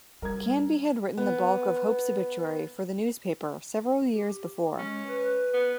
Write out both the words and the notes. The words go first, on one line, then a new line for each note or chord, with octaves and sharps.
Canby had written the bulk of Hope's obituary for the newspaper several years before.
G3 A#4 G#6
B3
G4
G#3 C#4
B4
B3